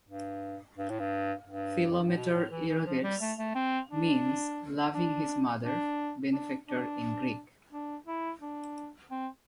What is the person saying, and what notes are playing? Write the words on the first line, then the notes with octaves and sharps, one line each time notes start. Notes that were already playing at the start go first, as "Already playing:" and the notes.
"Philometor Euergetes" means "Loving-his-Mother, Benefactor" in Greek.
G2
G2
A2
G2
G2
F2
G2
A2
B2
A2
E3
E3
F3
G3
A3
A3
C4
D4
D4
D4
D4
D4
D4
E4
D4
C4